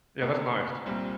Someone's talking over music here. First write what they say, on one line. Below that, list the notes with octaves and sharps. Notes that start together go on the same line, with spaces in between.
Yeah, that's nice.
D2 C3 A#3
C2 A#2 G3 C4